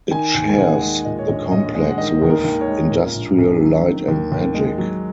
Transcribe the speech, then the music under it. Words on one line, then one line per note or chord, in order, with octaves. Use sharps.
It shares the complex with Industrial Light and Magic.
D#3 G#5
D#2
G#5
D#2 F#5
G#3
A#2 D#5
C#5
A#1 D#5
C#5
A#1 D#5
G#3 D#5
F#5
D#3 D#5
D#2
A#4
D#2
C#5
G#3
A#2 A#4
A#1
A#1
F#3
D#3
D#2
D#2
G#3
F#3